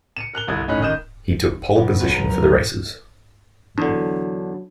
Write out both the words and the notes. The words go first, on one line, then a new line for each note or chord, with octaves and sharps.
He took pole position for the races.
C#7 D#7 E7
A#4 F#6 F7 G7
G1 C2 E4 D#6 G#6
A2 C#4 D#4 B5 F#6
A1 D#3 D#5 D#6 G6 E7
F#1
B1
A#5
A#4
A2
E2 D3 F#3 D4